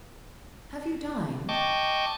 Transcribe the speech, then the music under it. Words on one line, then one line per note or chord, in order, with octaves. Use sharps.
'Have you dined?
D#5 G5 A5 C#6 D6